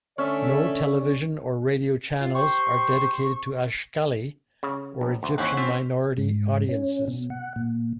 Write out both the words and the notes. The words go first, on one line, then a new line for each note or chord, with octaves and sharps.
No television or radio channels are dedicated to Askhali or Egyptian minority audiences.
D3 A3 C#4 D5 E5
F4
G4 C5 C#6
C#3
A#1
D2
D#2 C4 C#4 E4 C5 F#5
C4 F4 E5
G#2
C#4
B2
F#5
A#2